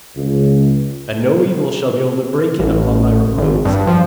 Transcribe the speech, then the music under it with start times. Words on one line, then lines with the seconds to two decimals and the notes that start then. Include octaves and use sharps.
And no evil shall be able to break in upon thy repose.
0.16 C#2
2.59 A1
3.38 G#1
3.65 G2
3.87 F3